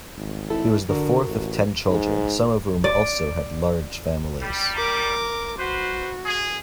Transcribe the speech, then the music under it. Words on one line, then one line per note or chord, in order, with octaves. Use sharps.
He was the fourth of ten children, some of whom also had large families.
G#1
C4 E4 A4
D3 F#4 A4 A#4
A1
G#2
D5
G3
A#4 D6
F#4 B4 C5
G#4